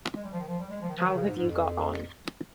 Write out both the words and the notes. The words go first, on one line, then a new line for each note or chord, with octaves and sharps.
How have you got on?
G#3
G3
F3
D#3
F3
G3
G#3
F3
D#3
F3
D#3
C#3
G#2
G#2
F2